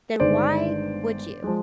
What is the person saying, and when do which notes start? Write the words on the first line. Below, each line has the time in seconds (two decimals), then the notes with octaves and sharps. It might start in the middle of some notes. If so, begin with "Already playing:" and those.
then why would you?
0.20 G1 G2 D#3 G#3 C5 D5
1.44 F3 G#3